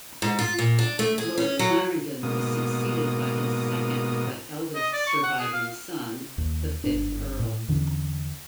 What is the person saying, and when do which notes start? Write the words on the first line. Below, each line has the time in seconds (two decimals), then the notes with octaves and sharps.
Lord Clarendon was succeeded by his second but eldest surviving son, the fifth Earl.
0.22 G#2
0.39 F4
0.58 A#2
0.79 D4
0.99 A3
1.18 G#4
1.38 C#4
1.59 F#3
2.23 G#2 B2 A#3 D#6
4.75 D#5
4.93 D5
5.07 C#6
5.23 F#5
5.40 G#4
5.53 F5
6.38 D#2
6.84 G1 G#2 D4
7.39 A2
7.68 E2 D3 E3 C#4